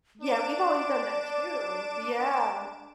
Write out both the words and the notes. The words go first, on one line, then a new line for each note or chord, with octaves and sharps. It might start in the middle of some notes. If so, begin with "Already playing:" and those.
Yeah. We've always done that, too. Yeah.
D4 D5 D6 D7 E7